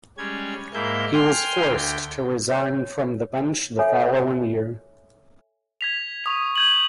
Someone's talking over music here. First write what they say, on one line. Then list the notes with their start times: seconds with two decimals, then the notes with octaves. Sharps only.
He was forced to resign from the Bench the following year.
0.18 G3 G#3 C#4 G#6
0.74 G#2 G#3 A#3 E4 G6
1.13 G5 G#5 C6 F6 G6
1.67 D2 G5
2.51 C#5
3.79 A4 C#5 E5 G#5
5.81 G#6 B6 F7
6.24 C#6 D#6 F7
6.56 G6 G#6 F#7